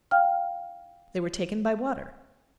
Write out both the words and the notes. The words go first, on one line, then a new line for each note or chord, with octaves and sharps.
They were taken by water.
F5 G5 F6